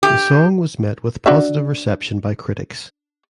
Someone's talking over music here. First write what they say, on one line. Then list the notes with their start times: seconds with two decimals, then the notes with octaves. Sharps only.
The song was met with positive reception by critics.
0.03 G4
1.26 D4 F#4 E5